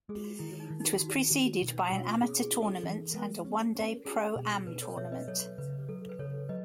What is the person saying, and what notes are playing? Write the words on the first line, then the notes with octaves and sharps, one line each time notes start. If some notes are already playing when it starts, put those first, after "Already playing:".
It was preceded by an amateur tournament and a one-day pro-am tournament.
G#3 G#4
F#4
D#3 E4
D#4
D#3
D#4
D#3 F#4
D#3
B2
B2
C#4 G#4
G#4
C#4
A4
E3
G#3
C#4
C#4
C#4 G#4
B2
B2 B4
A4 C#5
B2 C#5 E5
B4 D#5
F#3 A4 C#5
C#3 B4
F#3 A4
B4
C#3 A4 C#5
F#3 B4 D#5